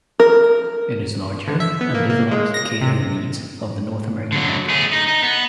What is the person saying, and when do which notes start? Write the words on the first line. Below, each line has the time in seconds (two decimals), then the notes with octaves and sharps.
It is larger and developed to cater the needs of the North American market.
0.20 A#4
1.47 D3
1.60 E5
1.81 B3
1.94 A#3
2.10 A#3
2.31 G#3
2.54 A#6
2.65 A#6
2.81 C3
4.32 D3 F#3
4.70 A3 G#4
4.93 D#4
5.08 D#4
5.23 B3